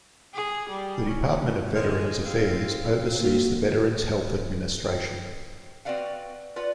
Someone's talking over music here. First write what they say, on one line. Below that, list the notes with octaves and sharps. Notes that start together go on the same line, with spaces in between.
The Department of Veterans Affairs oversees the Veterans Health Administration.
G#4
G3
C#4
G#3 F6
G#3 C4 F5
A#3 F#4
G5
C4 F#4 B4 D5 F5 F#5
F4 B4 D5 F#5